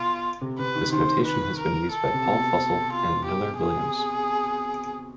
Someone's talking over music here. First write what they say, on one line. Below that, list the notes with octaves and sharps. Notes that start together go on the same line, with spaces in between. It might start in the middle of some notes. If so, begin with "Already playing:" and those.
This notation has been used by Paul Fussell and Miller Williams.
Already playing: B2 F4
C3
C3 B4
D#3
D#3 C5
B4
A#4
A4
C3
B2
F4
G4
G#4